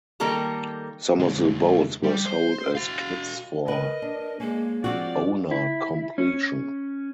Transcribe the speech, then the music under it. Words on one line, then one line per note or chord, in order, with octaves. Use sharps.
Some of the boats were sold as kits for owner completion.
D#3 G3 A#3 A4 A#4 A#5
D3 G#3
G3
C5
F#4 F5
A#4 B4 D#5
D4
G#3 A#3 C#4
F3 C4 F#4 D5
E4
C#4